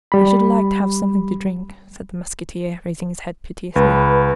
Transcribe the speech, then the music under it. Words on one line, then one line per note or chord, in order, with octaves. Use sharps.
"I should like to have something to drink," said the musketeer, raising his head piteously.
G3 B5
C#2 B4